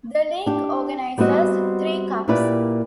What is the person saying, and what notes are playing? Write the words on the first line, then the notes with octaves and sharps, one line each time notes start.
The League organises three cups.
D4 G4
G3 B3 C4 F#4 D#5
A#2 A#3 E4 G4 B4 D5